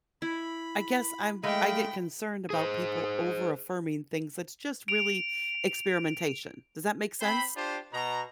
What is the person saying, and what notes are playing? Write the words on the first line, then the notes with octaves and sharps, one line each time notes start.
I guess I'm I get concerned about people over-affirming things that's just really experimentation. Does that make sense?
E4 B5
G#3 A3 F5 G5 B5
G#4 C5
D7 F7
C4 C5 B5
D4 F4 G4 C5
B2 A#5